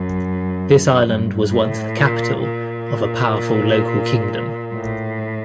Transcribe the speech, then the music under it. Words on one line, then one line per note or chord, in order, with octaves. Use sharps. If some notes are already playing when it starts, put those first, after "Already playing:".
This island was once the capital of a powerful local kingdom.
Already playing: F#2
G2
A2
A#2
A#2
A2